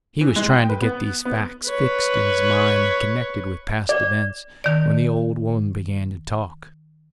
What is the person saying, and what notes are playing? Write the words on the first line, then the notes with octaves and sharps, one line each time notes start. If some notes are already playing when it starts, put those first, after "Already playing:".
He was trying to get these facts fixed in his mind and connected with past events, when the old woman began to talk.
E3
G#3
G5
B4
B3
B3
B4 C#5
D5
D#3 D5